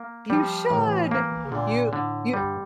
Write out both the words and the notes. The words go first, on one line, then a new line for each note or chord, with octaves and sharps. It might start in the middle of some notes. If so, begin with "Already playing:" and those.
you should! you you
Already playing: A#3
F3 G3
A2 E3
D3
E3
F3
E3 A#3
C#3
A#2 D3
A2 D3
G2 G3